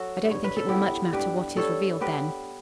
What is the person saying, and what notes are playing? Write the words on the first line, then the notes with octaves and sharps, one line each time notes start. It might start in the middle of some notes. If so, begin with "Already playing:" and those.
"I don't think it will much matter what is revealed then."
Already playing: F#3 F#4 A4
G2
C#5
B4
A4
B3 E4 G4
G2 G4 B4
G2 A4 C#5
B3 G4 B4